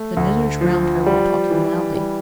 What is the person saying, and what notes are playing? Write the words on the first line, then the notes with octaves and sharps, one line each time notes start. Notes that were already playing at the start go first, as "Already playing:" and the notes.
The knitters round her were talking loudly.
Already playing: A3
D2
F3
G3
E3
G3